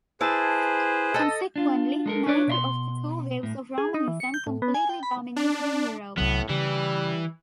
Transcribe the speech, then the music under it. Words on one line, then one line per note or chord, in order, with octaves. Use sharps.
Consequently, neither of the two waves of Romanism completely dominated in Europe.
E4 G#4 B4 C5 A5
A4 D#5
D4 F4
G#3 A4 A#4
D4 B4 C#5 D5
B2 E5 C6
A2
G#4
D#4
E3
C#7
G6
A2
B3
G#5
G5
B5
D4
C2 A2 F#3 B3
C#3 E3 G3